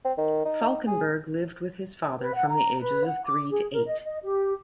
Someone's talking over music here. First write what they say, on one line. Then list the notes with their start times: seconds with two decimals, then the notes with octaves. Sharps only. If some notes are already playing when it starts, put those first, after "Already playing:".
Falkinburg lived with his father from the ages of three to eight.
0.05 C4
0.18 D#3
0.46 D#4
0.87 G#4
2.21 B4
2.34 F#5
2.49 A#5
2.80 B4
3.05 F#5
3.26 D6
3.50 G#4
3.73 A#4
3.86 D#5
4.04 D#5
4.23 G4